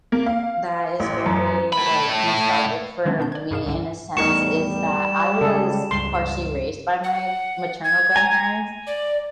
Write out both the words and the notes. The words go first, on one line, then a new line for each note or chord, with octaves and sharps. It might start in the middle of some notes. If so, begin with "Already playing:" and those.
that is very, like, nostalgic for me in a sense, is that I was partially raised by my maternal grandparents,
A#3
F5
A1
F#2
A2 B5
D#3 F#3 G#3 B3 C#4 D4
B2 B3 D4 G6
D5 G#6
G2 B2 G#4 A#4 F5 E7
C2 G#2 D3
E2 A2 G3 D#4 A#4 C#6 E7
C#3 G#3 G#4 A4
C#2 G2 C6
F#5
G#6
G#5 A#5
D5